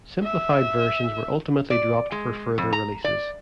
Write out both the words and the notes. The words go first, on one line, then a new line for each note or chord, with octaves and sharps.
Simplified versions were ultimately dropped for further releases.
E5
D5
G#3
F2
A#5
D5